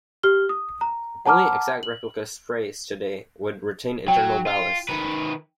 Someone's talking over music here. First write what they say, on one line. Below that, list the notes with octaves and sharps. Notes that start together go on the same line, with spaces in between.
Only exact replica "Spray"s today would retain internal ballast.
G4 F6 G7
D#6
A#5
F#5 A5 A#5 D6 F6
F#7
F#3 G5
F4
D#3 B4